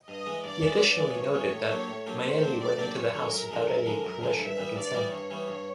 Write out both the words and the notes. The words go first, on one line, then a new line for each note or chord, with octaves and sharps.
He additionally noted that Myeni went in the house without any permission or consent.
G2 D#5
E3 G#3 B3
G2 D5
E3 G#3 B3
G2
E3 G#3 B3
G2 C#5
E3 G#3 B3
A2
F#3 A#3 D4 G4
A2
F#3 A#3 D4 G4
A2 C5
F#3 A#3 D4 G4
A2 D5
F#3 A#3 D4 G4
F#2 C#5
D3 F3 G#3
F#2 A#4
D3 F3 G#3
F#2 A#4
D3 F3 G#3
F#2 A#4
D3 F3 G#3
G2 E5
E3 G3 B3
G2 D5
E3 G3 B3
G2 C#5
E3 G3 B3
G2